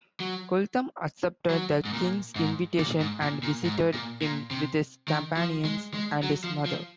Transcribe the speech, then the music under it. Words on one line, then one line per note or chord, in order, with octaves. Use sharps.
Kulthum accepted the king's invitation and visited him with his companions and his mother.
F#3
F#3
G#2
A#2
G#2
A#2
G#2
A#2
A#2
G#2
A#2
A#2
C3
D#3
F3
G#3
G#3
F#3
F3
F3